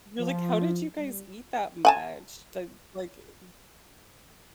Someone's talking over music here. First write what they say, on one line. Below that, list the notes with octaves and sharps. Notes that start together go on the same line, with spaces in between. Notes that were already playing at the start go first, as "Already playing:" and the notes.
You're like, "How did you guys eat that much? That, like, i mm"
F3
G3
F#5 G#5 A5